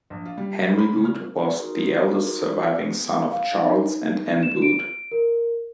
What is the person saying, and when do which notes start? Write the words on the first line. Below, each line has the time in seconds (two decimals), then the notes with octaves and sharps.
Henry Boot was the eldest surviving son of Charles and Ann Boot.
0.10 A#1
0.25 F4
0.38 G3
0.61 A#4
0.78 B5
0.92 C#3
1.05 F6
1.59 D#4 F4 F#4 G#4 A#4
2.72 B3 G#4
3.30 F5
3.63 D#4
4.43 E7
4.62 D7
5.12 A#4